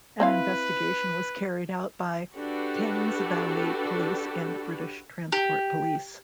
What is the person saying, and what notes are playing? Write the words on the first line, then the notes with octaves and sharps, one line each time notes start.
An investigation was carried out by Thames Valley Police and British Transport Police.
C4 E4 B4 F5
D4 F#4 G4 A4 B4
G4